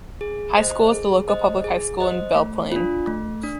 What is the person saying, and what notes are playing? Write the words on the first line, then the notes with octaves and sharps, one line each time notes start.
High School is the local public high school in Belle Plaine.
G#4
C5 D#5
G#4
C5 D#5
G#4
C5 D#5
A3
D4 F4
A3
D4